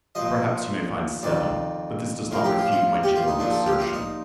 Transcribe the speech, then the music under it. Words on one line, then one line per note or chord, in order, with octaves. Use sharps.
Perhaps you may find seven, but this does not refute my general assertion.
A#2 F3 D#5
F2 D#3 D5
A2 F3 A#4
G4
F4
F4
G4
F4
D#4
A#2 F3 D4
A4
G4
F4
D#4